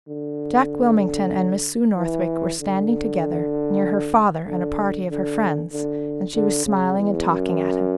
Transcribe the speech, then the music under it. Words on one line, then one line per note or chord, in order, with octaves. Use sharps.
Jack Wilmington and Miss Sue Northwick were standing together near her father and a party of her friends, and she was smiling and talking at him.
D3
E3
D3
D3
D3
D3
D3
C#3
E2
F#2